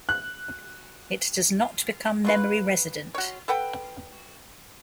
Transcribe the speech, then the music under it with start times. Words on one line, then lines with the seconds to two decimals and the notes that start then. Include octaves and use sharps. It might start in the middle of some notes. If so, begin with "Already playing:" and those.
It does not become memory resident.
0.09 F#6
2.25 F#3 F4 B4
3.15 F#4 C#5
3.48 A4 B4 F#5 G5